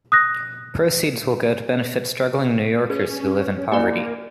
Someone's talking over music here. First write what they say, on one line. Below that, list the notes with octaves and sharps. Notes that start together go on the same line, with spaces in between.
Proceeds will go to benefit struggling New Yorkers who live in poverty.
D#6 F#6 A#6
C#4 G#4 B4
A#3 E4 G4 D5 G#5